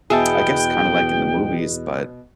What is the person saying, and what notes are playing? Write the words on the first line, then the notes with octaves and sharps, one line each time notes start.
I guess kinda like in the movies, but
E2 B2 B3 G#4 E5 G5 A5